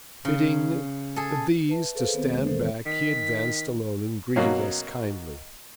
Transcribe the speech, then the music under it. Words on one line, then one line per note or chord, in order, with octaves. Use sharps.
Bidding these to stand back, he advanced alone and greeted us kindly.
C#3
G#4 A4
B4 E5 A5
G#4 A4 B4 C5 F5
D#3 B3 C4 A4 C5
E2 G#3 A#3
B2 D#3 E3 A4 A#4 C5
D#3 B6
B2 F#3 A#3 C#4